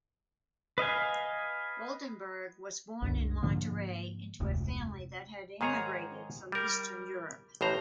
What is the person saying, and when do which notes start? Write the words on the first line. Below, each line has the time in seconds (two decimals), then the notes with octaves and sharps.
Woldenberg was born in Monterrey into a family that had immigrated from Eastern Europe.
0.78 B4 D#5 F5 G#5
3.02 C2 F#2 D3
3.43 G#2 D3 F3 A#3
4.40 F1 D2 G#2 C3
5.61 G#2 D#3 G#4 C#5 D#5 A#5
6.52 G3 A#4
7.61 A1 A2 C5 A#5